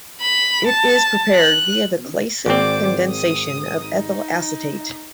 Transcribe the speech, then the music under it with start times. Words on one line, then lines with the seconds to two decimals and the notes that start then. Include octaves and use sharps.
It is prepared via the Claisen condensation of ethyl acetate.
0.21 B5
0.67 A5
1.35 F#6
2.46 G#1 C4 C5 D5 D6
3.11 D#6
3.83 D#4